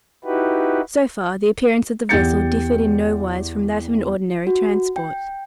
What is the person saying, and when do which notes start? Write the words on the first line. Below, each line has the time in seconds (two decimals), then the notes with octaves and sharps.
So far the appearance of the vessel differed in no wise from that of an ordinary transport.
0.25 D#4 E4 F#4 G4 B4
2.09 E2 G4 G6 A6 C#7
4.47 F#4
4.96 G5